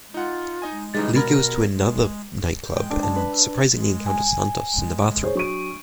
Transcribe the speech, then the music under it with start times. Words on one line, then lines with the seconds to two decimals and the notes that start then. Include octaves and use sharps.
Lee goes to another nightclub and surprisingly encounters Santos in the bathroom.
0.14 D#4 F4 F#5
0.62 D#4 D#5 G#5
0.94 C#3 E3 G3 G#3 D#4
1.15 B2 A#4 B5 G#6 A6
2.76 G5
2.90 D4
3.03 A5
3.16 B4
4.06 G#5
5.23 G#4 C5 C#5
5.35 F#3 D4 C#6 D7 D#7